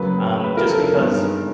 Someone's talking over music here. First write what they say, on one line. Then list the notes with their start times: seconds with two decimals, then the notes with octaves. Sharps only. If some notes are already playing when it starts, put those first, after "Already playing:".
um, just because
Already playing: F#2 C#3 F#3 A#3 B4
0.44 B4
0.57 A#4
0.70 A4
0.83 A#4
0.94 G2 D#3 G#3 B3